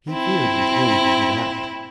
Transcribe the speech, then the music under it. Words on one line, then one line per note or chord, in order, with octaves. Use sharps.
He feared he was going to give out.
C4 E4